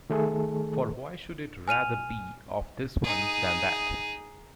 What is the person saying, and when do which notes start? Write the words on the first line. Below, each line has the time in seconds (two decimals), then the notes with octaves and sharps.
For why should it rather be of this one than that?
0.10 D#3 A3 G#4 A4
1.68 G#5 F6 D#7 F7
3.04 D#4 G#4